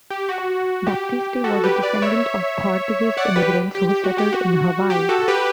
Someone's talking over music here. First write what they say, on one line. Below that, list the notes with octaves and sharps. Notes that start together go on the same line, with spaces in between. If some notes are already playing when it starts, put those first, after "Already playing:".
Baptiste was a descendant of Portuguese immigrants who settled in Hawaii.
G4
F#4
G4
F#4 A4
G4 B4
B4 D5
C#5 E5
D5 F#5
G4 B4
G4
G4
F#4
G4
F#4
G4
F#4 A4
G4 B4